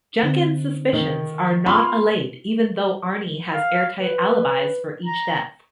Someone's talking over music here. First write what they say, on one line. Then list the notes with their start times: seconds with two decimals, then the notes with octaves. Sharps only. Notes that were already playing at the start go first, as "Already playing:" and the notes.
Junkins' suspicions are not allayed even though Arnie has airtight alibis for each death.
0.23 D3 C4 D#4
0.93 D#3
1.66 B3 F4 B5 C6 F6
3.54 F5
4.00 B4
5.05 A#5